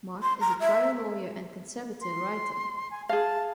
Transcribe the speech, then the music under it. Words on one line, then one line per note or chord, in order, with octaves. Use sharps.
Mark is a trial lawyer and conservative writer.
C6
A#5
E5
C6
G#5
G#4 F5 A5